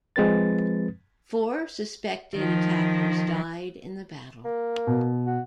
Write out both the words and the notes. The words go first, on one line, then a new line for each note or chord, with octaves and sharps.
Four suspected attackers died in the battle.
F3 G#3 C4 B4 A6
D#3 F3
A#3
B2
F#4